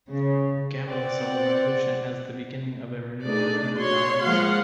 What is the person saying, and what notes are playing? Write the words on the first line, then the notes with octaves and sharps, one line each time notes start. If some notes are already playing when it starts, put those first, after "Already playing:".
Gabo saw the Revolution as the beginning of a renewal of human values.
C#3
C4 D5 F#5
A3 D4 D#4 G#4 D5
F#4 C#5 C6
F3 G#3 A#3 F5 F#5 C6